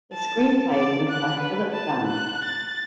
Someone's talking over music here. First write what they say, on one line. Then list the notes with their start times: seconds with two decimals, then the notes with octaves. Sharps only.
The screenplay was by Philip Dunne.
0.13 A5
0.71 D5
1.09 F#6
1.40 B4
1.72 A5
2.07 F#6
2.45 A6